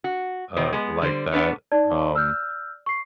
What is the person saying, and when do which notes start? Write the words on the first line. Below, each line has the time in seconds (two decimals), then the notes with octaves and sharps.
uh, like that. Um,
0.04 F#4
0.56 B2 D#3 C5
0.72 G#3 B3
1.02 D3 G3 C5
1.32 B3 D4 B4 C#5
1.72 D#4 D5 A5
2.15 E6 F6 G6
2.86 C#6 C7